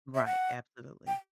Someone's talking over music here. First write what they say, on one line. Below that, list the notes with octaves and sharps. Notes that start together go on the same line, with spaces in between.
Right. Absolutely.
E5
F#5
G5